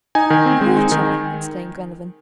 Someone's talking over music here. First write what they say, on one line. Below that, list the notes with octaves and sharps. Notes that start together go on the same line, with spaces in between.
"Water!" exclaimed Glenarvan.
D#4 G#5
D#3
C4
G#3
D#4
D#3